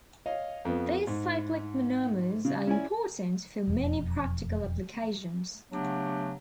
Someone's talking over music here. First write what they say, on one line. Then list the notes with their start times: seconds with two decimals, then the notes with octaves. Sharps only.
These cyclic monomers are important for many practical applications.
0.26 C#5 D#5 F5
0.65 F2 B3
1.07 G#2
2.45 C#3
2.67 C#4 E4 D5 G#5
3.67 E1 F2
5.72 C#3 F#3 A3 B3 D4 G4